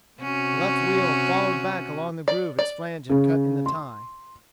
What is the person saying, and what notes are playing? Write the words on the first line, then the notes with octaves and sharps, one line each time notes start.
The left wheel followed back along the groove its flange had cut in the tie.
C3 C#4 F#4
D5
D5
C#3
C6